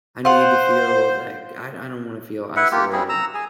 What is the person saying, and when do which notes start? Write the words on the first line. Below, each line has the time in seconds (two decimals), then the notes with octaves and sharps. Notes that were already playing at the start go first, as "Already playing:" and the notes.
I need to feel like I I don't wanna feel isolated.
0.25 F4 C5 F#5
2.56 E4 B4 E5 F#5
2.72 A#3 F4 G4
2.93 G3 C4 E4 G#4
3.09 A#5 E6
3.34 G#4 G#5